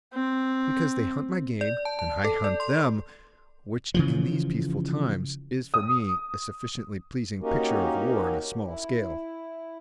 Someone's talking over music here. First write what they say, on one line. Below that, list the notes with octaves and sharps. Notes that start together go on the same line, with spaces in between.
"Because they hunt my game, and I hunt them--which, in these peaceful times, is for me a sufficiently pleasing picture of war on a small scale."
C4
D5
A5
A5
A4
D5
C6
C#3 E3 F3
D#6
A#3 C#4 D#4 F#4 G4 A#4
E4